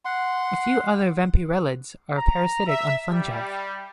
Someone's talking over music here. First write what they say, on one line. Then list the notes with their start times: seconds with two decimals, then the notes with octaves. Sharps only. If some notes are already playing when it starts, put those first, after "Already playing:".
A few other vampyrellids are parasitic on fungi.
0.05 F#5 C6
2.16 A#5
2.66 E5
3.10 G3